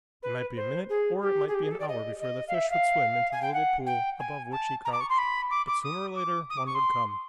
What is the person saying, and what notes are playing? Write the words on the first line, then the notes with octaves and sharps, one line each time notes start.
It might be a minute or it might be an hour before the fish would swim into the little pool above which he crouched, but sooner or later one would come.
B4
C5
G#4
G4
G#4
G4
G#4
A4
D5
D#5
D#5
F5
E5
F5
G#5
G5
F#5
G5
G#5
A5
A#5
D6
C#6
C6
B5
D6
D6
D#6
D6
D#6
D6
C#6
C6